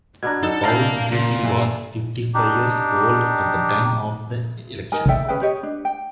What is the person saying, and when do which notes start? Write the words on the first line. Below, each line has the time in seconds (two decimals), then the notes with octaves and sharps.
Poudrette was fifty-five years old at the time of the election.
0.23 B2 B3 D4 A#5 G#6
0.43 F#3 D#4 A4
0.64 D4 E4 G#4 A#4 F5 A5 F6 G6
1.12 A#2 C#3
1.44 E3 A4
2.34 D4 D#4 G4
4.92 D#4 A#4 G#5
5.08 A4 D5 E5 G5
5.28 C#4 G#4 B4 G5
5.41 G4 C#5 D#5
5.63 D4
5.85 G5